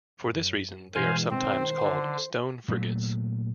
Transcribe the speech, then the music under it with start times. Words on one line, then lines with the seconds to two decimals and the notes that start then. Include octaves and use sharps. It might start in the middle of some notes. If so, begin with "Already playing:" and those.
For this reason they are sometimes called stone frigates.
0.19 F#2
0.95 B2 E3 G#3 C5 F5 G#5
1.30 D#3 C4 C5
1.83 D3
2.68 A#2 F#3 A3